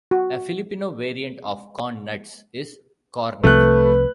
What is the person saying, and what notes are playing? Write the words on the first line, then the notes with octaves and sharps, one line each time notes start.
A Filipino variant of corn nuts is "cornick".
F#4
C2 C3 F3 A3 B4 F#6